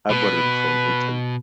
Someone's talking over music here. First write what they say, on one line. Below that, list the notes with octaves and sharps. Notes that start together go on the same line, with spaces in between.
Aborym from Italy.
B2 B4